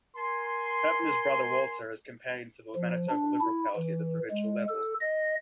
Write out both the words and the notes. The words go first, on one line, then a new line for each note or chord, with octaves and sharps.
Hoeppner's brother Walter has campaigned for the Manitoba Liberal Party at the provincial level.
A#4 G#5 C6
F3
D4
E4
E3
G#3
A4
D#5